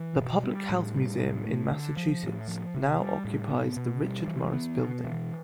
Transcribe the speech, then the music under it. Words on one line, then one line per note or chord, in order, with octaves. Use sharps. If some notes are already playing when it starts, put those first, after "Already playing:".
The Public Health Museum in Massachusetts now occupies the Richard Morris Building.
Already playing: E3
B2
G3
A2
G3
A2
A3
D3
F3
A2
F3
C3
G3
A2
B3
B2
G3
E3
B3
B2
E3